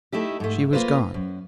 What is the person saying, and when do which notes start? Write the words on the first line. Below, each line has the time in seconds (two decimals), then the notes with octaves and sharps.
She was gone.
0.12 A3 D#4 E4 G4
0.40 G#2 A3
0.73 A#3 F4 B4 C5
1.14 F#2